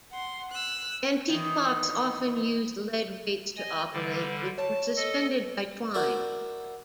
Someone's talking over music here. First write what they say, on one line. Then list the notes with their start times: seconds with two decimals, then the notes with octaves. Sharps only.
Antique clocks often used lead weights to operate, which were suspended by twine.
0.11 F#5 C6
0.51 E6 F#6
1.29 D#3 E3
3.57 D#5 G#5
3.93 D3 G3
4.58 C#5 A5
4.97 A4 D#5
5.94 E4 F#4 A#4 C5 D5 E5